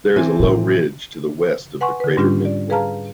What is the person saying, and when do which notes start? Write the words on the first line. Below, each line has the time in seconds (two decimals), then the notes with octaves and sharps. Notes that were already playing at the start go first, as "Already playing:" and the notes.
There is a low ridge to the west of the crater midpoint.
0.16 E3 C4 G#5
0.39 A2 C3
1.81 B4 F#5 G#5 C6 C#6
2.00 D3 B4
2.17 G#2 G3 C#4 D4 F4 G4
2.45 D5
2.70 G#4 B4 F5 A5 A#5 F6